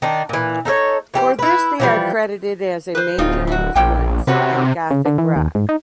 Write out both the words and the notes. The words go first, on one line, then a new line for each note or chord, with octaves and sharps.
For this they are credited as a major influence on gothic rock.
D#3 D4
A#2 E3
D#4 A4 A#4 C#5
E3 G4 A4 C5
E4 B4
E3 F3 G3
B4 C5
D1 C4 D#4 F4
E4 F#4
A#1 B2 A#3 G5
C3 C#4 F#4 B4
C#3
D3
E3
D#2
G#2
D#4